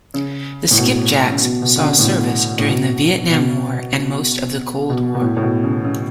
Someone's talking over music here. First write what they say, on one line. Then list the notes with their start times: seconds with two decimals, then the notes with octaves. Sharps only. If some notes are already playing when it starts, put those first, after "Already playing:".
The "Skipjack"s saw service during the Vietnam War and most of the Cold War.
0.14 C#3
0.71 A2
0.78 B2
1.32 C#3
1.42 B2
1.62 B2
1.77 D3
1.83 C#3
1.99 A2
2.05 B2
2.59 A2
2.68 B2
3.31 B2
4.90 B2
5.15 B2
5.22 A2
5.37 A2
5.43 B2
5.64 C#3
5.85 C#3